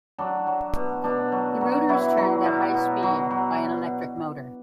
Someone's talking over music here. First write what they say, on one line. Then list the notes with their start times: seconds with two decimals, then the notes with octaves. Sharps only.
The rotor is turned at a high speed by an electric motor.
0.18 F#3 D4
0.47 F#3
0.75 B2
1.04 B2 D4
1.32 F#3
1.61 F#3
1.89 F#3 E4
2.17 F#3
2.45 B2
2.74 B2
3.03 F#3
3.31 F#3